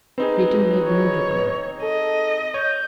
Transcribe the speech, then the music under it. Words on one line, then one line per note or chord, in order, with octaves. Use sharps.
Breton made no reply.
C4 D#4 G#4 B4
C#5
A4 D#5
C#5 G6